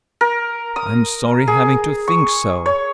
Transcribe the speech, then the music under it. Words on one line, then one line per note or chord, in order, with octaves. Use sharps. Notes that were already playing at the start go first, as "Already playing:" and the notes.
I'm sorry having to think so.
A#4
D#6
G#4
C#6
C#5